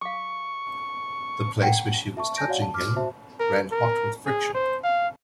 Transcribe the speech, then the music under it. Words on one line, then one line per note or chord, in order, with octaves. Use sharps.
The place where she was touching him ran hot with friction.
F5 C#6 D6
F#5 G5 A#5
E5 A5 C#6
G#5 A5 G6 A#6 D7
F#4 C#5 D5 F5 F#5
A5
D6 F6
F#4 C5 E5 A5
A#4
A#4
G#4
C5
F5